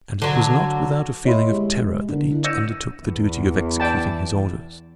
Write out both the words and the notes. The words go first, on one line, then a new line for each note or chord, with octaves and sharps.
And it was not without a feeling of terror that each undertook the duty of executing his orders.
D3 F#3
E4 C#5 D#5 E5 B5 C6
G#3 G4 G#4
D3 A#4
E4
E6 G6 A#6 C#7 D#7 E7
E2
D5 G5 A5